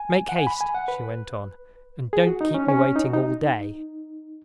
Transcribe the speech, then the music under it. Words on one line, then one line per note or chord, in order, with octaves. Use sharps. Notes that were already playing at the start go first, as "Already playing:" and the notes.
"Make haste," she went on, "and don't keep me waiting all day."
Already playing: G#5
F#5
G#5
B5
G#5
F#5
B4
G#4
F#4
D#4
C#4
C#4
D#4
F#4
D#4